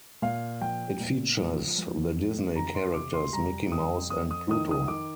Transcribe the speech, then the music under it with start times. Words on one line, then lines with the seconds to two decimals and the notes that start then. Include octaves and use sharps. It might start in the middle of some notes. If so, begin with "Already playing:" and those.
It features the Disney characters Mickey Mouse and Pluto.
0.22 A#2 F5
0.61 F3 G5
1.00 A#2
1.39 F3
1.78 F3
2.17 F2
2.55 F2 A#5
2.75 C6
2.94 C3 D6
3.14 C6
3.33 G3 A#5
3.72 F2 D#6
4.10 F2 D#6
4.31 D#6
4.49 D#3 D#6
4.71 D#6
4.88 D#3 D6